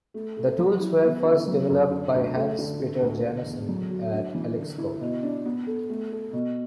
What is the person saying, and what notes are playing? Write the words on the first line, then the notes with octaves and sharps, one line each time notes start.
The tools were first developed by Hans Petter Jansson at Helix Code.
A3
A4
F#3
E4
B3
D3
F#3
F#2
D3
D2
A3
D3
D3
D2
D3
E2
F#3
F#4
D4
E3
D3
E4
B2
D4
B3
A4
A3
A4
B2